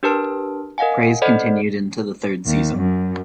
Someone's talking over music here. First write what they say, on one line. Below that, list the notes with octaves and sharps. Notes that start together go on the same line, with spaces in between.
Praise continued into the third season.
D4 G4 A#4 B4 A5 F6
A#4 D#5 F5 F#5 G#5
A4 C5 D5 D#5 F#5 B5
D#2
F#2